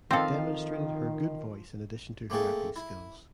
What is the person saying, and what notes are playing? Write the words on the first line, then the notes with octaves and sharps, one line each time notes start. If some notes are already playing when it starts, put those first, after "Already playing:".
It demonstrated her good voice in addition to her acting skills.
D#3 F3 C4 A4 F5
A3 A#3 C4 G#4 A4
E4